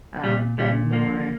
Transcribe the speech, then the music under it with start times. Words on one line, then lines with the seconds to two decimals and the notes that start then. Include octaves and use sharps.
uh, them more
0.24 A#2 G3
0.58 A#2 G3
0.92 F3 A#3